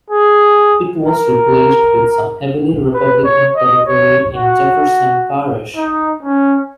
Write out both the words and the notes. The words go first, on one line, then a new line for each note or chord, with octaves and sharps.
It was replaced with some heavily Republican territory in Jefferson Parish.
G#4
A#4
B4
C#5
D#5
C#5
F#4
D#4
C#4